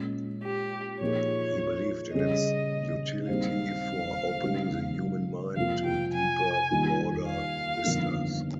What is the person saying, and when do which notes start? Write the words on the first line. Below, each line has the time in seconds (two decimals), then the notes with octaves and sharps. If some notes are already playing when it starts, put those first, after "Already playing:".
He believed in its utility for opening the human mind to deeper, broader vistas.
Already playing: A#2 G#3 C#4
0.44 G4
1.01 A#2 F3 A#3 D#4 G#4 C#5
2.14 C#3 G3 C#4 G#4 D#5
3.28 D#2 D#3 G3 C4 F5
4.42 C#3 G#3 D#4 G4
5.56 F2 C3 F3 A#3 F4 F5
5.85 G5
6.13 G#5
6.71 D#2 D#3 G3 A#3 F4
7.27 F5
7.84 G1 F2 D#3 A#3 D#4